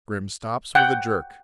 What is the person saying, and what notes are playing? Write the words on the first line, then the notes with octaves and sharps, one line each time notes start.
Grim stops with a jerk.
F#5 G5